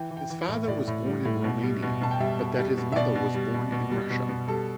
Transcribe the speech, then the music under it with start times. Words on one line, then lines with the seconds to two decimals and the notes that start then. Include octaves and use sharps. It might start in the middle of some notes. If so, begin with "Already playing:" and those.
His father was born in Romania but that his mother was born in Russia.
Already playing: E3 G5
0.11 E3
0.17 G5
0.30 E3
0.49 A2
0.68 A2 D5
0.87 A2
1.06 G3
1.25 A2
1.44 B2
1.63 G3
1.83 B2
2.01 B2 A5
2.11 G5
2.20 G3 E5
2.39 B2
2.58 G3
2.77 B2
2.92 E5
2.96 B2 D5
3.15 B2
3.34 G3
3.54 B2
3.72 B2
3.91 G3
4.10 B2
4.29 B2
4.48 G3 A4